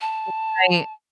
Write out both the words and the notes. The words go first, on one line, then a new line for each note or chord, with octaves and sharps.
R right.
A5